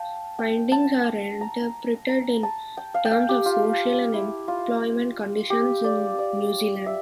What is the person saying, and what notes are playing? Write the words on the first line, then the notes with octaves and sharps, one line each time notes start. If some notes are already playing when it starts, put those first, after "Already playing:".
Findings are interpreted in terms of social and employment conditions in New Zealand.
Already playing: F5 G5 A5
G5
A5
A#5
A#5
A5
G5
F5
G5
F5
G4
F4
E4
F4
G4
D5
D5
E5